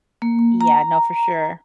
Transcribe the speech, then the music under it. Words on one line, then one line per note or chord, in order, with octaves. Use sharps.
Yeah, no, for sure.
A#3
A#5